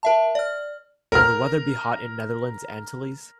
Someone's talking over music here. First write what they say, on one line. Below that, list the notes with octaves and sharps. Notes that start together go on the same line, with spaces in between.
Will the weather be hot in Netherlands Antilles?
A#4 E5 A5
D5 F6
A#4 F6